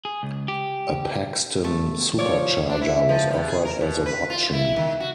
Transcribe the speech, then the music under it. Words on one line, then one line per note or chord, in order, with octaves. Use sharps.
A Paxton supercharger was offered as an option.
G#4
C#2
G4
A3
F3 C#5 D5
D4
E4
F3
B2
G#4
A#4
B2
B4
F4
E4
D#3
F#4